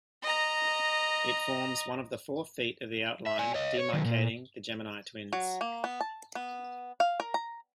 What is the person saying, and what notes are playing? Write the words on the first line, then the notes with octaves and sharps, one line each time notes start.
It forms one of the four feet of the outline demarcating the Gemini twins.
D#5 A#5
E5
D5 G#5
C#5 D#5
C#5
D#3 F#3
A#2
F#3
A#3
B3
A5
B3
F5
A#4
A#5